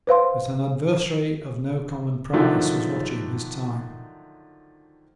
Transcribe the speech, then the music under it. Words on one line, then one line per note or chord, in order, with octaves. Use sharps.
But an adversary of no common prowess was watching his time.
B4 C5 F5 C6
D3 D#3 F3 F#3 A3